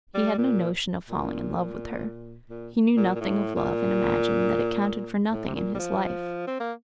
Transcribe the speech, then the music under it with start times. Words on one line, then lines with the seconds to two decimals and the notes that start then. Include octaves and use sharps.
He had no notion of falling in love with her. He knew nothing of love and imagined that it counted for nothing in his life.
0.14 G3
0.38 A#2
1.09 A#2
2.50 A#2
2.97 A#2
3.15 A#2
3.21 A2
3.56 A#2
5.32 A2
5.47 C3
5.55 A#2
5.74 G3
5.79 F3
6.47 C4
6.60 A#3